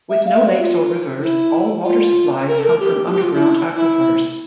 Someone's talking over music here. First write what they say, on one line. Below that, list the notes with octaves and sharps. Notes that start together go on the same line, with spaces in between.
With no lakes or rivers, all water supplies come from underground aquifers.
E5
F5
E5
D5
F4
E4
F4
A#4
A4
A#4
G4
F4
G4
F4
E4
E4